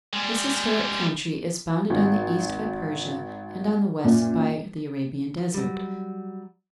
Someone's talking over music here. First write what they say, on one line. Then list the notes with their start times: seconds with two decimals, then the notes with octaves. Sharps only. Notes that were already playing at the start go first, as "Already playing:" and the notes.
This historic country is bounded on the east by Persia and on the west by the Arabian desert.
0.13 G3 G#3
1.90 G#1
4.04 F#2 A#2
5.54 F#3 G3